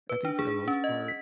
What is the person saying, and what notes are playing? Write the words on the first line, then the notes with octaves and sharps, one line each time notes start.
I think for the most part
B4
D4
G#4
C#4
D#5
B6